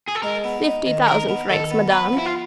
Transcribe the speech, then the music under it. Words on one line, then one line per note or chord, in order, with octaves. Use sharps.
"Fifty thousand francs, madame."
G#4
A4
G#3 A#4
B3
D#4
D#3
D#4 A#4
B3
D#3 A4
B3
B3 B4
F3
E4
F4